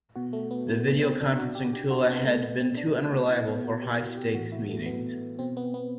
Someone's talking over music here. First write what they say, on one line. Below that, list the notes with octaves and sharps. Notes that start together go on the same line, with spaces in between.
The video conferencing tool had been too unreliable for high-stakes meetings.
B2 F#4
A3
B3
A3
B3
C4
B2 D4
F#4
G4
G4
F#4
C4
B3
B2 A3
B3
C4
D4
F#4
F#4
B2 E4
B3
F#4
G4
F#4
G4
A2 E3 F#4
E4
A3
B3
B2 C4
B3
B3